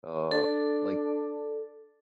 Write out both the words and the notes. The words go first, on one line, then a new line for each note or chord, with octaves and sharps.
Uh, like
D4 A4